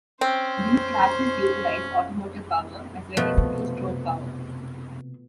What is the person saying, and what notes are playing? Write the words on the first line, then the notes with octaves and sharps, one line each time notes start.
These classes utilize automotive power, as well as two-stroke power.
C4 C#4 C5
B2 F3 A3
C3